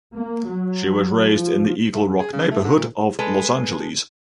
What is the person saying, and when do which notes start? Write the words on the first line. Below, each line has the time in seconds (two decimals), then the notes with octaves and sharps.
She was raised in the Eagle Rock neighborhood of Los Angeles.
0.14 A#3
0.49 F#3
1.35 F3
1.94 A3
2.07 F2
2.19 G#4
2.33 C#3
2.51 A3
2.64 D3
2.77 A#2
3.19 G#3 A4 B4